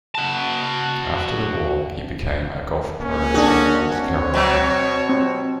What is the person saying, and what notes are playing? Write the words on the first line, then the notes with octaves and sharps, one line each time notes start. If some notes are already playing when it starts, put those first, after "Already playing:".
After the war, he became a golf pro in North Carolina.
F#4 A5
A#3 C#4
D4 F#4 G#4
C4 C#5
B2 F#3
C4